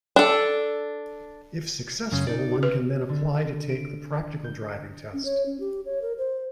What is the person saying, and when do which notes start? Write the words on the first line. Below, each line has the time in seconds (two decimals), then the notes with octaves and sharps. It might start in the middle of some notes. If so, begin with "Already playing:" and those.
If successful, one can then apply to take the practical driving test.
0.16 D4 A4
2.12 F#2 C#3 C#4
2.27 D#4 D5
2.63 B4
3.09 D3
3.69 D7
4.44 G6
5.13 C#4
5.25 C#5
5.46 C#4
5.60 G4
5.86 C#5
6.02 A#4
6.18 C5